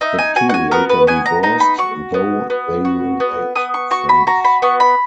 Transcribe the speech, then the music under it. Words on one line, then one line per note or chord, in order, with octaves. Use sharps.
The two later divorced, though they remained friends.
D#4 E5
G#5
F#4 G#5
F#5
G#5
B3 A#4
B4
B3 G#5
A#5
D#4 A#5
B5
F#4 C#6
B3
B3
F#4
B3
B3 D#6
C#6
F#4 C#6
B5
F#4 A#5
B5
B3 C#6
B5